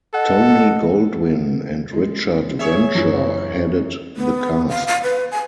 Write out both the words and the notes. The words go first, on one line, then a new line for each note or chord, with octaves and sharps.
Tony Goldwyn and Richard Venture headed the cast.
A4 D#5 F#5
G#3
G#4 C#5 E5
F#2 E3
B3
F5
F5
B4
G#5